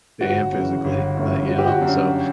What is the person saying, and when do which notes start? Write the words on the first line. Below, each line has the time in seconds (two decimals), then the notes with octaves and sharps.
and physically, like, you know, so,
0.21 G1 F#4
0.52 F#2 C#3 E3
0.84 G1
1.17 F#2 E3 A3
1.49 G1 F#4
1.58 G4
1.67 F#4
1.80 F#2 D3